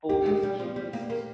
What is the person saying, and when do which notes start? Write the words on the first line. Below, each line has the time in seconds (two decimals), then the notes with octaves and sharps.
full mischievousness.
0.09 A#3 G4
0.26 G#3
0.43 G3
0.60 F3
0.76 G3
0.93 A#3
1.10 A#3